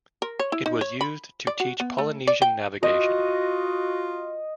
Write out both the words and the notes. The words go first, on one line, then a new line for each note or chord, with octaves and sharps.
It was used to teach polynesian navigation.
A#4
C#5
E4
D#4
C#5
B5
D5
F#4
B3
A3
D5
G5
F4 F#4 D#5